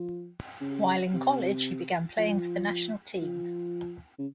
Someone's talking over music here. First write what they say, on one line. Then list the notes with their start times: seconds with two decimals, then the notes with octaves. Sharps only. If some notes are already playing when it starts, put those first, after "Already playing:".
While in college, he began playing for the national team.
Already playing: F3
0.61 C#3
1.13 C3
2.18 F3
3.22 F3
4.19 C#3